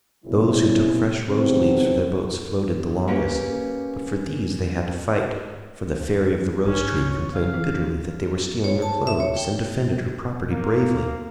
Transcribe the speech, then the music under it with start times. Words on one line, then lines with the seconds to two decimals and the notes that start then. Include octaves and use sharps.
Those who took fresh rose-leaves for their boats floated the longest; but for these they had to fight; for the fairy of the rose-tree complained bitterly that they were stealing her clothes, and defended her property bravely.
0.24 F#1 B2 G3 C4 C#4 E4
1.28 C3 D#3 F#3 A3 B3 C4
3.07 A#3 C#4 G4 A#4 B4
6.66 A1 C#4
6.92 C#3
7.10 C#5
7.34 F5
7.54 E3
8.64 C#5
8.82 A5
9.07 E5
9.20 C#5
9.37 G5
10.51 A#3